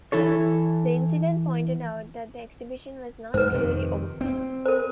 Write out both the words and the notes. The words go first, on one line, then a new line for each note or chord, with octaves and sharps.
The incident pointed out that the exhibition was not truly "open".
E3 E4 A4 C#5
G#2 B4 C5
F2 C3 D#3
C4
A#4 C5